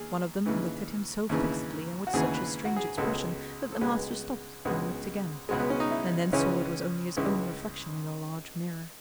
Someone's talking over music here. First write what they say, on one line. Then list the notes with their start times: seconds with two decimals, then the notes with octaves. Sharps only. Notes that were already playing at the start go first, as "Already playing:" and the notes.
One of them looked at him so fixedly and with such a strange expression that the master stopped and looked again, and then saw it was only his own reflection in a large mirror.
Already playing: D#2 G#4
0.46 D#2 C#3 E3
1.29 D#2 C#3 E3
2.07 F#4
2.13 D#2 C#3 E3 G#4
2.35 B4
2.65 F#4
2.76 G#4
2.97 C#2 B2 G#3 A4
3.72 A4
3.81 C#2 B2 G#3 B4
4.65 C#2 B2 G#3
5.49 C#2 B2 G#3
5.60 B3
5.70 C#4
5.80 D#4
5.91 E4
6.33 C#2 C#3 E3 C#4
7.17 C#2 C#3 E3